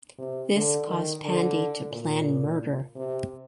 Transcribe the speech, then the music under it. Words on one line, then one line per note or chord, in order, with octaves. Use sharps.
This caused Pandi to plan murder.
C3
D3
D#3
D3
A#2
C3